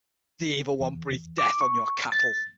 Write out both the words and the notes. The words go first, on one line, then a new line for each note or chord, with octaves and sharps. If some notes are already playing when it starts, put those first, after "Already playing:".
The Evil One breathe death on your cattle!
E2
D6
C#6
A6